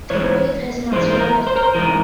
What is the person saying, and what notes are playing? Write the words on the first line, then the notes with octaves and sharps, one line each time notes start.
The grave has not survived.
G#2 E3 C#5
G#2 E3 C5
C5
A#4
C5
A#4
C5
G#2 E3 A#4